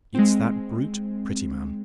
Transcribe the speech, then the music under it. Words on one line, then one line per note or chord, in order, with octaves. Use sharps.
It's that brute, Prettyman.
G#3 C4